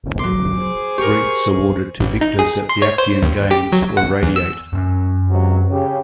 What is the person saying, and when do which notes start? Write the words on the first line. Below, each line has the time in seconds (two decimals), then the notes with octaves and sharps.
Wreaths awarded to victors at the Actian Games were radiate.
0.19 F#3 C6 D6
0.56 G#4 C5
0.98 G4 A#4 C6 C#6
2.00 A1
2.21 D#4
2.39 G#4
2.69 C6
2.82 C#5
2.98 C5
3.23 D#2
3.51 G4
3.72 F#3
3.97 F#5
4.23 E2
4.36 E6
4.73 F#2 B3 C#4
5.29 C#2 C3 F#3
5.70 C#3 G4